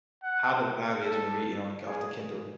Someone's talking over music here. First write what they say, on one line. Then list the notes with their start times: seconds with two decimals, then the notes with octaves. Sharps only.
how the vibe is when reading on off the Kindle?
0.23 F#5
1.05 A4
1.88 G#4